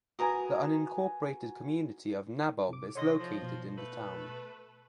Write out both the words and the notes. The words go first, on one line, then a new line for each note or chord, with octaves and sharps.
The unincorporated community of Nabob is located in the town.
F#4 A#4 B4 G#5 A#5 D#6
C3 D6
D3 C#5 D#5 C6 A#6
F3
B2
A3 A4 B4